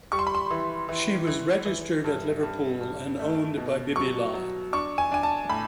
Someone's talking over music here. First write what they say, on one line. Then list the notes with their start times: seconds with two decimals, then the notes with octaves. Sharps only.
She was registered at Liverpool and owned by Bibby Line.
0.12 G3 C#6
0.19 C6
0.27 B5
0.35 C6
0.51 E3
0.89 E3
1.27 E3
1.66 E3
2.04 G2
2.43 G2
2.81 G2
3.19 A3
3.57 B2
3.96 F#3 C#6
4.34 F#3
4.73 D4 C#6
4.98 G#5
5.11 D4 G#5
5.23 A5
5.49 A2 B5